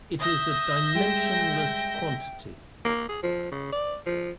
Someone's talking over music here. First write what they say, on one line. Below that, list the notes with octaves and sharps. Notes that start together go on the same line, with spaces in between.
It is a dimensionless quantity.
E5 D#6 G6 A#6
G3 G#3 G5
A#3
G#4
F3
C#3
D5
F3